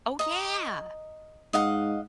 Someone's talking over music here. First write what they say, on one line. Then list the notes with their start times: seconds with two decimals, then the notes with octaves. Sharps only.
Oh, yeah.
0.19 D#5 A#5
1.53 G#2 D#5 F5 F#5